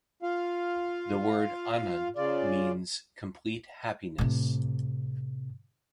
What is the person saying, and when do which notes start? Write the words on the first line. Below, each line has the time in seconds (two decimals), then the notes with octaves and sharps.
The word Anand means complete happiness.
0.23 F4 F5
2.16 C#3 F4 D5
4.18 A2 C3